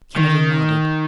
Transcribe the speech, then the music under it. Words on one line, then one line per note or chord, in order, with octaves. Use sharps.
Kennedy nodded.
D#3